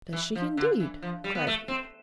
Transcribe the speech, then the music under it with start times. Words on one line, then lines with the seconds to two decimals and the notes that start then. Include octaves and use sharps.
"Does she indeed?" cried he.
0.13 E3
0.35 F3
0.57 D3
0.80 E3
1.02 F3
1.24 G3
1.35 B3
1.47 A3
1.68 C4